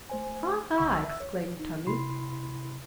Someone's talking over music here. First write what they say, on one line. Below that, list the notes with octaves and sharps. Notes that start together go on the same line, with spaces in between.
"Ha, ha!" exclaimed Tommie.
A3 C5 G#5
B1 D3 F#5 C#6 E6
E5 E6
C#5
D#4
C3 E4 B5 C6 C7